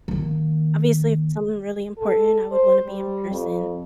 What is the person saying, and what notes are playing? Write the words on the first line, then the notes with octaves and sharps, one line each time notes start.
Obviously, if it's something really important, I would wanna be in person.
D#3 A#3
A4
C5
G3
F2